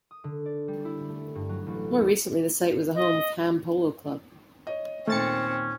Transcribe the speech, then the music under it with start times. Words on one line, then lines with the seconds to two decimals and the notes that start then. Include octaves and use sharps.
More recently the site was the home of Ham Polo Club.
0.11 D#6
0.24 D3
0.46 D5
0.68 G3
0.85 E4
1.09 A3
1.35 G2
1.49 F#3
1.67 A1
1.99 D#2
2.95 D#5
4.67 C#5 D#5
5.08 D#2 A#2 A3 C4 C#4 A6 C#7